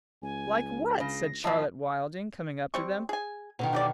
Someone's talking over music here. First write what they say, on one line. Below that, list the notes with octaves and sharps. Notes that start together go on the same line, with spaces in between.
"Like what?" said Charlotte Wilding, coming up to them.
C#2 G#5
C#3 A#6
F2 A2 F3 D#5 E5 A5 E6
G3 C4 C#6
G#4 G#5
B2 D3 D#3
D#4 G4 D5